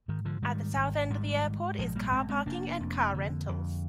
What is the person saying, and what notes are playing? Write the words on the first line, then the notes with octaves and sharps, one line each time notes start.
At the south end of the airport is car parking and car rentals.
G#2 D#3
D3 F3
G#2 D#3 G3
G#1
G#2 D#3 G3
G#2
A#1 F3 G#3
G3 A#3
A#1 G#3 C4
G#3 C4
F1 A#3 D4
F2
D3
F2